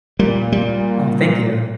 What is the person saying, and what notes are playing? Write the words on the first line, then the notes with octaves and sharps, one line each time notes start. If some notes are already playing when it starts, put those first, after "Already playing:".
Oh, thank you.
A#2 G3
G3